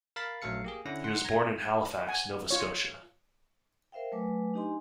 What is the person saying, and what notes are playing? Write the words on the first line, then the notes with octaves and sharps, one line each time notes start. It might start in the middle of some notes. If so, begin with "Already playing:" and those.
He was born in Halifax, Nova Scotia.
A#4 F5 B5 A6
A#1 F#3 A3 A4 F5 C#7
A#3 G4 G#4
D3 C#4 E4 F#5 A#6
F#5 C6
A#5 G#6 A#6
F#5 G#5
F4 C#5
A#4 C5 E5 F5 G5
F#3 A3 B4 G#5 D6
D4 D#4 G4 D#5 G#5 C6